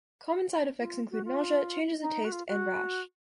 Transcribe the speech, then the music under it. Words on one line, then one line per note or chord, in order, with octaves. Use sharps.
Common side effects include nausea, changes in taste, and rash.
F4
F#4
F4
D#4
F#4
F4
F#4